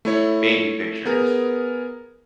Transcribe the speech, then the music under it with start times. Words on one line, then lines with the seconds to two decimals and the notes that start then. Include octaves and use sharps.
baby pictures.
0.05 A3 E4 C#5
1.05 B3 G#4 A#4